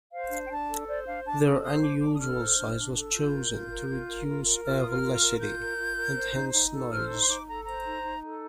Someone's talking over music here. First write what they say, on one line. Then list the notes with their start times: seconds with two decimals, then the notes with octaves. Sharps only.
Their unusual size was chosen to reduce air velocity and hence noise.
0.11 C5 F5
0.30 D4
0.45 G5
0.49 D4 A5
0.67 A4
0.87 C5 D5
1.05 D4 F5
1.24 D4 A5
1.43 A4
1.63 C5 D#6
1.81 D4 D6
2.00 D4 D6
2.14 D#6
2.19 A4 F6
2.38 C5
2.57 D4
2.76 D4
2.95 A4
3.14 F4 G6
3.32 A#4
3.52 F4
3.69 A#4
3.88 F4
4.08 A#4
4.26 F4
4.45 A#4
4.64 F4 F6
4.80 A#4 D#6
4.89 F6
5.02 F4
5.15 F6
5.21 A#4
5.39 F4 G6
5.59 A#4
5.78 F4
5.97 A#4
6.16 C5
6.34 D#4
6.53 D#4
6.72 A4
6.91 C5 F6
7.09 D#4
7.19 C6
7.28 D#4 D6
7.47 A4 A#5
7.65 C5 A#5
7.84 D#4
8.03 D#4
8.22 A4